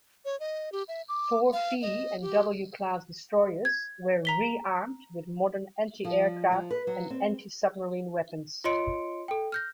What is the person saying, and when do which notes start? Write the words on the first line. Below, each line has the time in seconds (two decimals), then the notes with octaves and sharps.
Four V and W-class destroyers were re-armed with modern anti-aircraft and anti-submarine weapons.
0.25 C#5
0.40 D#5
0.72 G4
0.88 E5
1.09 D6
1.53 F5
1.82 D#5
2.22 G4
3.65 G#6
4.25 A#5 B6 G7
6.04 F3
6.52 F3
6.70 B4
6.87 F#3
7.10 C4
8.64 F4 C#5 D#5 C6 C#7 D7
9.28 A4 G5
9.52 F6 G6 A#6